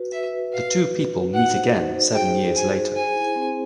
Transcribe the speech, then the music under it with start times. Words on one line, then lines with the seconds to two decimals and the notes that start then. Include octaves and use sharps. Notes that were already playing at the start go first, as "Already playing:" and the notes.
The two people meet again seven years later.
Already playing: F#4 B4
0.12 F#4 E5
0.33 B4
0.52 B4 F5
0.73 F#4
0.93 F#4
1.14 F#4
1.34 D#4 F#5
1.54 C5
1.74 D#4
1.94 C5
2.14 G#4 G5
2.34 C5
2.55 C5 G#5
2.76 G#4
2.95 G#4 G#5
3.16 E4
3.36 C4